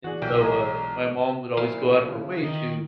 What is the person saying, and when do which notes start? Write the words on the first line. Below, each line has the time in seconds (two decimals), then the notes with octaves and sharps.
And so, uh, my mom would always go out of her way to
0.04 E3 F#4 G#4 D5
0.22 B1 G4 G#4 C#5 E5 G5
0.41 G#3 D#5 G#5 A#5
1.57 A#2 F3 E4 F5
2.04 D#2 C#3
2.43 D#3 D#5